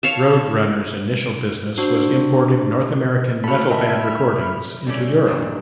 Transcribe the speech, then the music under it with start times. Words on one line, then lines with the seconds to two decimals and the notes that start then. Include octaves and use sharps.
Roadrunner's initial business was importing North American metal-band recordings into Europe.
0.03 C#5 F5 A5
1.78 D4 F#4 C5
3.44 F#4 A4 B5 F6
3.70 A3 C4 D#5 E5
4.87 G3 A3 C#4 D5
5.26 A#1 G2 A#2 D#3 G3